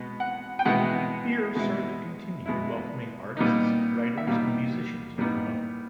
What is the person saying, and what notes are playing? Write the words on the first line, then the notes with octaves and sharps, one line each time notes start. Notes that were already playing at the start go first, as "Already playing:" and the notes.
Here Sert continued welcoming artists, writers, and musicians in her home.
Already playing: B2 G#3 B3
F#5
G5
B2 G#3 B3 E4 F#5
B2 G#3 B3 E4
B2 G#3 B3 E4
A#2 G3 B3 D#4
E5
A#2 G3 B3 D#4 F5
A#2 G3 B3 D#4